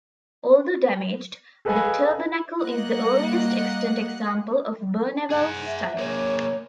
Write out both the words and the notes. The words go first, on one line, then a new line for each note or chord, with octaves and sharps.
Although damaged, the tabernacle is the earliest extant example of Berneval's style.
G#4 A4 B4 D#5 F5 G#5
G3 A#3 D#5 F#5 F#6
G#4 F#5
E5
A#3 G#4 C#5